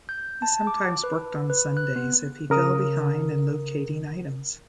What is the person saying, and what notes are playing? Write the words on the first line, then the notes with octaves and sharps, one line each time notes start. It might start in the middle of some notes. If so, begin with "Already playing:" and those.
He sometimes worked on Sundays if he fell behind in locating items.
G6
A5
D6
B4
B4
F#6
B3
C#3 A#4 D#6